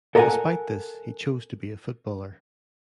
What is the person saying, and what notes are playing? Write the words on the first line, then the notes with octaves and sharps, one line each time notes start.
Despite this, he chose to be a footballer.
A4 A#4 D#5 F5 F#5 G#5